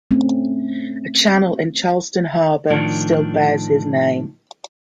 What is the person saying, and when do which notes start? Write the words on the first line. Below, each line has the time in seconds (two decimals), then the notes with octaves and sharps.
A channel in Charleston Harbor still bears his name.
0.11 A3 C4 C#4
2.70 A2 D#3 F3 D4